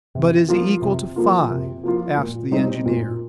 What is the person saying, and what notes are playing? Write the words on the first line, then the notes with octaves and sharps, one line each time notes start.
"But is he equal to five?" asked the engineer.
C3
F3 A#3 F4
C3
F3 A#3 F4
C3
F3 A#3 F4
A#2
G3 C4 D#4 C5
A#2